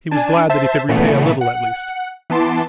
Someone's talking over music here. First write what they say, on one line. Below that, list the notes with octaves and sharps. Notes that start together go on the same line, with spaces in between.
He was glad that he could repay a little at least.
D4 G#5 A5
C5 E5 A5
A#2 C#3 E3 A3 B3
F#5
E3 B3 A5 C6 D6